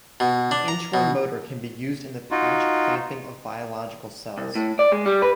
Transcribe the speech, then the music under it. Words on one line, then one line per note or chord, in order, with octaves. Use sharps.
The inchworm motor can be used in the patch clamping of biological cells.
B2
D4
A#5
B2
D#4 F4 F#4
C2
A2
D5
G#3
G3
B4